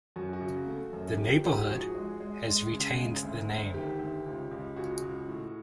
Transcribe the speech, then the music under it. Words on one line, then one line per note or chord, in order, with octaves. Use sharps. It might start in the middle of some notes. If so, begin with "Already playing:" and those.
The neighbourhood has retained the name.
F#2 F#4
F#4
C#3
A3
F#2
F3 G4
G#2 G4
F3 F#4 G#4
G#3
G#3
G#3
C#3
G#3
D2
D2
D#3 G4
D2
C#2
C#2
C#2 F#4 G#4
C#2
A2